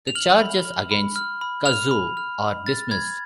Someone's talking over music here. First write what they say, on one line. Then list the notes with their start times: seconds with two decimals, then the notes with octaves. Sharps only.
The charges against Kazuo are dismissed.
0.07 F7
0.15 F6 F#7
0.41 B5
0.65 F6
0.91 B5
1.16 F6
1.41 B5
1.66 F6 F7
1.91 B5
2.17 F6
2.42 B5
2.66 F6 A6
2.91 B5 G#6